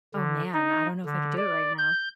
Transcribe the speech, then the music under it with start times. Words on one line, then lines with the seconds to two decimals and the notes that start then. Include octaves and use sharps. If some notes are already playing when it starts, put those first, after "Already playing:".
Oh, man, I don't know if I could do it right now.
0.14 D3
0.54 D#4
1.05 D3
1.37 D5
1.78 G6